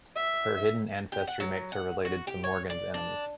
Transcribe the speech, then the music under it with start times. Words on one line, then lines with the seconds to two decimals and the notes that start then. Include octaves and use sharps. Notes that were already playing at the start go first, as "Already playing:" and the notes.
Her hidden ancestry makes her related to Morgon's enemies.
0.16 E5
1.12 G4
1.27 F#5
1.40 F#3
1.72 F#5
2.05 F#4
2.27 G4
2.44 C#5
2.70 D5
2.94 D4